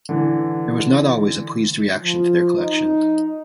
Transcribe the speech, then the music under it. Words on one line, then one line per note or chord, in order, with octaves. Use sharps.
There was not always a pleased reaction to their collection.
D3 E3
F3
D#4